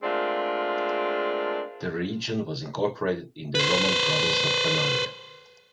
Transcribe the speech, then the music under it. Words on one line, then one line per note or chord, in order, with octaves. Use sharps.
The region was incorporated in the Roman province of Pannonia.
G#3 A3 C4 D4 F4 A#4
B4 C5